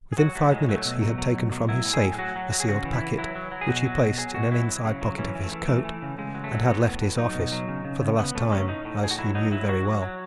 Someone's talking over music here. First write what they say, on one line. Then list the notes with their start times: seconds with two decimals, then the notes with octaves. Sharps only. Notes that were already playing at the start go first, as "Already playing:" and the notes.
Within five minutes he had taken from his safe a sealed packet, which he placed in an inside pocket of his coat, and had left his office--for the last time, as he knew very well.
0.12 G#4
0.18 F#3 F#4
0.35 F#3 A3
0.52 A2 G#3
0.69 F#3 A3
0.85 B2
1.02 F#3
1.18 F#3
1.35 B2
1.52 F#3
1.69 F#3 E4
1.85 A2
1.93 G#4
2.02 A2
2.18 F#3 F#4
2.36 F#3
2.52 F#3
2.60 G#4
2.68 C#3 F#4
2.85 E3
2.93 E4
3.01 E3
3.18 F#3 E4
3.35 F#3
3.52 F#3
3.61 G#4
3.68 B2 F#4
3.85 F#3
4.01 B2
4.18 F#3 G#4
4.35 B2 F#4
4.51 F#3 E4
4.69 F#3
4.85 C#3
5.01 F#3
5.18 E3 C#4
5.35 E3
5.44 A3
5.52 E3
5.68 E3 A3
5.85 E3
6.02 C#3
6.18 C#3 G#3
6.35 F#3
6.44 A3
6.52 F#3
6.68 A2 B3
6.85 A2
7.02 A2
7.18 F#3 D#4
7.34 B2
7.52 F#3
7.68 C#3
7.85 C#3
8.01 C#3
8.18 C#3 B3
8.34 C#3 A3
8.51 F#3 C#4
8.68 A2 D#4
8.85 A2
9.01 A2 G#4
9.11 F#4
9.18 F#3 E4
9.35 F#3 D#4
9.51 F#3 E4
9.69 F#3 F#4
9.85 F#3
10.02 F#3